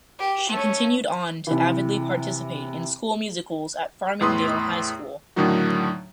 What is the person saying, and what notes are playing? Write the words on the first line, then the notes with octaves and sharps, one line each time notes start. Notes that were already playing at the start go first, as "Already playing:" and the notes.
She continued on to avidly participate in school musicals at Farmingdale High School.
G4
A3 C#4
C3 E3
E2 A2 B4 C6 D#6
A2 D3 D#3 F#3 D#4 F#4